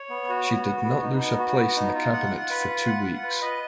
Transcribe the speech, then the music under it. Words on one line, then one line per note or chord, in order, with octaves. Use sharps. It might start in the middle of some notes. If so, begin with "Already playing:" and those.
She did not lose her place in the cabinet for two weeks.
Already playing: C#5
B3
F#4
B3
F#4
B3
D#4
B3
F#4
B3
D#4
F4
F#5
F4
B4
F4
F#5
F4
B4
D#5